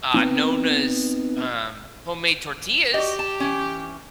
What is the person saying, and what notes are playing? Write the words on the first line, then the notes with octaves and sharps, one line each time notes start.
uh, Nona's, um, homemade tortillas.
B3 C4 D#4
F#4 G4 D#5
A5
E3 C#4